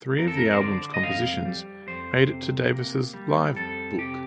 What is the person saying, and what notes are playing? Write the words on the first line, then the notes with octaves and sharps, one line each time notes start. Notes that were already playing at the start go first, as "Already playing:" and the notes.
Three of the album's compositions made it to Davis's live "book".
F2 A#4
A4
A#4
C5
D3 D5
D#5
F2 F5
G3
F2 C5
C3
A#3
G3
F2 A4
C3 G4